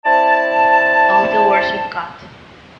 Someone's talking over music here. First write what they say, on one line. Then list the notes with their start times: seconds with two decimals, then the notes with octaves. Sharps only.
All the words you've got.
0.05 C4 E4 D5 A5